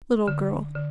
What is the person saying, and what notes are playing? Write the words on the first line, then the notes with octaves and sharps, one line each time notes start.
Little girl.
D3
D3